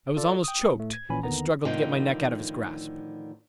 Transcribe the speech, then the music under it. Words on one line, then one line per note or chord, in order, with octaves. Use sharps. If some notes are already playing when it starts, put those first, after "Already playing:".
I was almost choked, and struggled to get my neck out of his grasp.
F4 A4 D5
G5 D#6
A2 A3
G#6
A#1 A#2 E3 C#4 G#5 B5
D#2 D3 D#3 B3 A#5
A2 D3 D#3 F3 G5